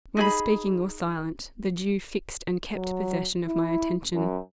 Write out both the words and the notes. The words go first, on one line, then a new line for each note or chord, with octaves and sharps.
Whether speaking or silent, the Jew fixed and kept possession of my attention.
D#4 G#4 B5
F#3
E4
F#2